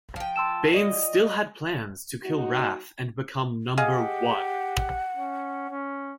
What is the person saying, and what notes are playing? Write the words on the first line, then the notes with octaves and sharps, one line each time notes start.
Bain still plans to kill Rath and become number one.
F3 G5
A5 C6 E6 E7
D5 D#5
F#3 A#3 D#4 F#4
G4 G#4 D#5 F5 F#5
C#4
C#4